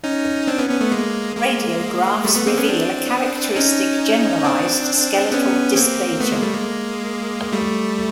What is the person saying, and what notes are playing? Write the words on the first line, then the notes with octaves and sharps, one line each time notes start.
Radiographs reveal a characteristic generalised skeletal dysplasia.
C#4 D#4
C4 D4
B3 C#4
B3 C#4
A3 B3
G#3 A#3
G#3 A#3
G3 A3
A3 B3
A#3 C4
B3 C#4
C4 D4
C#4 D#4
C4 D4
B3 C#4
A#3 C4
A3 B3
G#3 A#3
G3 A3
G#3 A#3
G3 A3